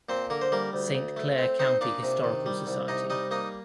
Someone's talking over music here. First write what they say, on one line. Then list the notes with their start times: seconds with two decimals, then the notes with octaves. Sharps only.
Saint Clair County Historical Society.
0.09 A#2 C4 C5
0.30 D3 A#3 A#4
0.41 C5
0.52 G3 A#3 A#4
0.73 D2
0.95 D2
1.17 A3
1.38 C4
1.59 C4 D#4 C5
1.81 A#2 D4 D5
2.03 C3
2.24 D#3
2.46 G3
2.67 C2
2.88 C3 D#4 D#5
3.10 G3 D#4 D#5
3.31 A#3 D#4 D#5